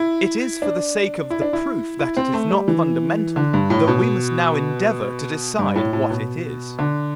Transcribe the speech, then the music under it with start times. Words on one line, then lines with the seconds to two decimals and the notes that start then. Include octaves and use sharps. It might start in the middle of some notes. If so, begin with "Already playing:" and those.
It is for the sake of the proof that it is not fundamental that we must now endeavour to decide what it is.
Already playing: E4
0.62 D4
1.30 E4
1.42 D4
1.53 E4
1.99 E4
2.17 C4
2.34 A3
2.51 G3
2.68 E3
3.36 D3
3.54 G2
3.70 A2
3.88 B2
5.59 G2
5.76 A2
5.93 A2
6.10 B2
6.79 D3